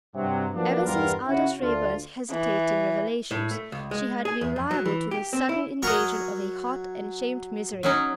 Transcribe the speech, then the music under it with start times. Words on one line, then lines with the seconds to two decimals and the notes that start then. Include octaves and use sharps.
Ever since Aldous Raeburn's hesitating revelations, she had been liable to this sudden invasion of a hot and shamed misery.
0.15 G2 C3 F#3
0.55 F3 F#3 A#3 B3 D4
0.86 E2 G2 G3 B3 F4 A#4
1.28 C#3 C#4 E4 F#4
1.61 D2 D4 F4
2.30 E3
3.31 A2
3.51 A3
3.72 C#2
3.91 G#3
4.25 G#4
4.41 E2
4.56 F2
4.71 F#3
4.85 E3
5.11 G4
5.33 C4
5.49 E4
5.83 F#3 A#4 C#5 D#5 C#6
7.83 F#3 C#4 D#4